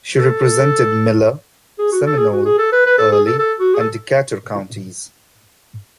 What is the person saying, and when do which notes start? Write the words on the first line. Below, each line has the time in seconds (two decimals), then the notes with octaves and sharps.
She represented Miller, Seminole, Early and Decatur counties.
0.18 A4
1.78 G#4
1.92 F#4
2.06 A4
2.18 G#4
2.32 F#4
2.45 G#4
2.58 A4
2.72 B4
2.86 B4
2.98 A4
3.11 G#4
3.26 A4
3.38 A4
3.59 F#4
3.74 G#4
3.80 A4